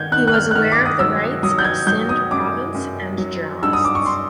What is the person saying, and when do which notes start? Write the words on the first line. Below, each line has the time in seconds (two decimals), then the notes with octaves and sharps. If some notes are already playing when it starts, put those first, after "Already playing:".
He was aware of rights of Sindh province and journalists.
Already playing: D#3 G6 G#6
0.12 D#3 F#6
0.27 F#6
0.34 F6
0.51 F#6
0.55 D#3 F6
0.72 D6
0.85 D#6
0.99 F#3 E6
1.43 F#3 D#6
1.58 G6
1.64 G#6
1.87 F#3 G6
2.09 D#6
2.31 F#2 D6
2.74 F#2
3.18 F#3
3.63 G2 E6
3.73 D#6
3.84 D6
3.95 C#6
4.06 C6